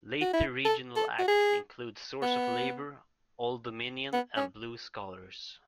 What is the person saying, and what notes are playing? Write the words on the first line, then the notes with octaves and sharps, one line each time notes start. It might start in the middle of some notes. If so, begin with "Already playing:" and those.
Later regional acts include Source of Labor, Oldominion and Blue Scholars.
F#4
E4
A4
A4
F#4
G#4
B3
B3
C#4